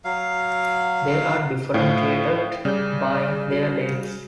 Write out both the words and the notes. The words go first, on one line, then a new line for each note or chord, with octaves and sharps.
They are differentiated by their dates.
F#3 F5
A2 F4 C5 F5 G5
C#3 G3 D5 G6
F#4